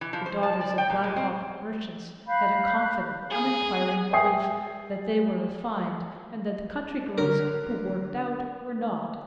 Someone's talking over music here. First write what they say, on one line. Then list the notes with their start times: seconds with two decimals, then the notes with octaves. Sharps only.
The daughters of Black Hawk merchants had a confident, uninquiring belief that they were "refined," and that the country girls, who "worked out," were not.
0.01 E3
0.13 F3
0.26 C5
0.43 A5
0.61 D5
0.78 G5
0.90 A#2
1.04 G#3
1.16 C4
2.28 F5 B5 F#6 G6
3.31 G#4
4.13 E5 G5 G#5 D#6 C7
7.18 D3 A#4